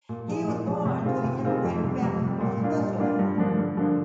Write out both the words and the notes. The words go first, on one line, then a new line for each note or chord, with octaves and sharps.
He was born to an immigrant family from Switzerland.
A#2
F3 G#3
A#2
F3 G#3
C3
D#3 G#3 C4 F4
C3
D#3 G#3 C4 F4
F2
C3 G3
F2
C3 G3
A#2
G3 A#3 D4 F4
A#2
G3 A#3 D4 F4
G2
D3 F3 A#3 D4
G2
D3 F3 A#3 D4